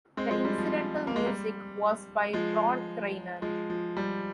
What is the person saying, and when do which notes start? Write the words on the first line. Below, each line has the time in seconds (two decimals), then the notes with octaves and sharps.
The incidental music was by Ron Grainer.
0.17 G#3 C4
0.31 F3 G#3
0.45 G3
0.58 F3
1.07 A#3
1.16 G#3
1.26 G3
2.33 F3 G#3
3.42 F3 G#3
3.70 F3
3.97 G3